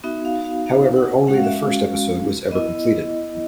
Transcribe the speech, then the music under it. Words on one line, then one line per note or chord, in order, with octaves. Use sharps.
However, only the first episode was ever completed.
B3 D#4 F#4 E5
F5
F5
F5
F#5
G#3 C#4 F#4 F#5
F5
E5
F5
B3 E4 D#5